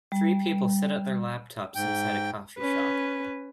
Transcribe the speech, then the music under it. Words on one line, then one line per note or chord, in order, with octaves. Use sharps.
Three people sit at their laptops inside a coffee shop.
G3
G#2 G5
C#4 B4